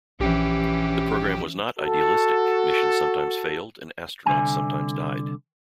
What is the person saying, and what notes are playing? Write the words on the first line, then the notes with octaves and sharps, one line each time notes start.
The program was not idealistic; missions sometimes failed and astronauts sometimes died.
A#1 E3 C#4 G4 G5
F#4 A4
C2 D3 E3 G#5